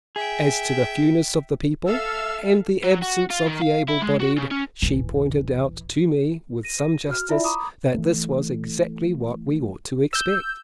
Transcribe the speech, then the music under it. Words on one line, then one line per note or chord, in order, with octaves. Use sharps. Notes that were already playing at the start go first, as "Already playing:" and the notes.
As to the fewness of the people, and the absence of the able-bodied, she pointed out to me with some justice that this was exactly what we ought to expect.
G#4 E5 G5
A4 E5 F5 E6
F#3
F#4
F4
D#3
F5
E4
G#3
F#4
C#3
C#4
D#1 A1 E3
A#6 D#7
F#4 F6
E4 F4 D5 E5 B5
A#5 B5 D6 D#6
E3 A3
E6 G6